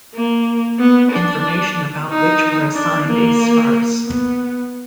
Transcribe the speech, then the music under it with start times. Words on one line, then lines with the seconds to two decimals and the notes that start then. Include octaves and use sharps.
Information about which were assigned is sparse.
0.14 A#3
0.79 B3
1.11 D4
2.10 D#4
2.75 D4
3.08 A#3
4.06 B3